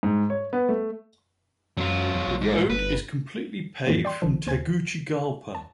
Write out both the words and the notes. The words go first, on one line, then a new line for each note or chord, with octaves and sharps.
The road is completely paved from Tegucigalpa.
G#2
C#5
B3
A3
F#2 F#3 F4
F2
A#1
G#2
G1 B4
F2 A2 E3 F3 A#3
D5 G5 C6
A#1 D#3 F3
D#2 C5 G#5 G#6
A5